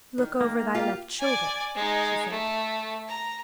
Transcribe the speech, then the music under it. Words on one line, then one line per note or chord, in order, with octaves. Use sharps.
"Look over thy left shoulder," she said.
D#3
A#3
F4 G4 F5
D5 G#5
G#3 D#4
A3
A#5